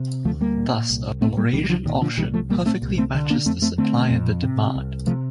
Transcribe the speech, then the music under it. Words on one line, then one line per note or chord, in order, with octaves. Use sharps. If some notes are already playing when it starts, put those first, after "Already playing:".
Thus, a Walrasian auction perfectly matches the supply and the demand.
Already playing: C3
D2 F3 A3
G3 A#3
A#2
C2
A#2 A3 C4
G3 A#3
C2 D#3 G3
G3
D3 F3
A#2 D#3
D3 F3
C2 D#3 G3
F3 A3
A#2 G3 A#3
A3 C4
C2
A3 C4
D3
A#3 D4
F2 A3 C4
A3 C4
D3 A3 C4
F2
C3
C2
C3 F3 A3